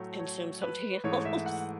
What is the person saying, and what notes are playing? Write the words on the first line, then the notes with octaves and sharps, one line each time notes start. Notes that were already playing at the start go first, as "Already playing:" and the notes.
consume something else.
Already playing: A2 F#3 A3
C#5
B4
G#2 E3 A3 C#5
E5
F#5